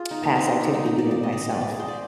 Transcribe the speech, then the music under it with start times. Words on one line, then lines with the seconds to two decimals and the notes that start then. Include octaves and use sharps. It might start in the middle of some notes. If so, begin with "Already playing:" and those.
past activity doing myself,
Already playing: F4 G#4
0.11 D#4
0.23 A#3
0.36 C4
0.49 D4
0.61 D#4
0.73 D#4
0.86 D#4
0.98 D5
1.11 D5
1.23 D#5
1.32 D5
1.41 D#5
1.51 D5
1.61 D5
1.69 G#4
1.80 C5
1.88 D5